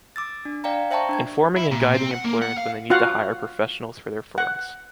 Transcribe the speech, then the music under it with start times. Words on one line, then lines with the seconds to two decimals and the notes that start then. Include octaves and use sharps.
Informing and guiding employers when they need to hire professionals for their firms.
0.16 D6 E6 A6
0.45 D4
0.64 D5 F5 G5 A#5
0.91 C5 E5 G5 A5 A#5 C#6
1.09 D4 A#5 G#6
1.56 E4
1.71 A#2
1.94 C4
2.11 F#5
2.25 A#3
2.42 F#5
2.58 F5
2.90 F4 F#4 F5 F#5
4.38 F#5